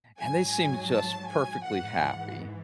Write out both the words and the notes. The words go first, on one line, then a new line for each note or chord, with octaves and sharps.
and they seemed just perfectly happy
G#2 F#3 G#5
A5
G#5
G#2 E3 F#5